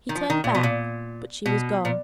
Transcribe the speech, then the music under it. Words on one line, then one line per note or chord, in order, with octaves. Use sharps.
He turned back, but she was gone.
D#3
F3
D#3
A#2
B2
A#2
B2
A#2